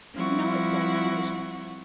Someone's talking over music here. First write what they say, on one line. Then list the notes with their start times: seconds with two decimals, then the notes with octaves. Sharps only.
You know it's all foolishness.
0.14 F3 G3 C4 E4 F#5 C#6